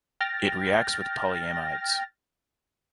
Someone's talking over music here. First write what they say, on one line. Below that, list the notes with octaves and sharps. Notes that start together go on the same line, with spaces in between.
It reacts with polyamides.
G5 F6 A6 A#6